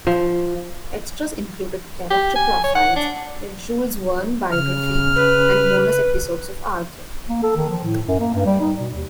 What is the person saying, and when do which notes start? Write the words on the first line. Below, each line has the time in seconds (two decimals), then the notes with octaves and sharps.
Extras included character profiles, a Jules Verne biography, and bonus episodes of Arthur!
0.07 F3
2.10 G4
2.35 G#5
2.64 C#5
2.75 F#5
2.96 D4
4.52 C#3 F6
5.16 B4
7.29 A#3
7.43 A4
7.56 D#3
7.70 F3
7.84 A2
8.08 F#2
8.20 A#3
8.34 G2
8.46 G3
8.60 D#4
8.79 B2
8.94 D#2